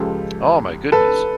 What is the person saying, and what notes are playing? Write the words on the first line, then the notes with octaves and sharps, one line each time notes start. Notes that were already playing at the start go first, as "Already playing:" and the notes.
Oh my goodness.
Already playing: C#2 C#3 F3 G#3 G4 A4
A4 B4